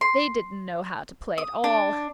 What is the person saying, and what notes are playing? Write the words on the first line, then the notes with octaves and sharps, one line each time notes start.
They didn't know how to play at all.
C6
D#6
D4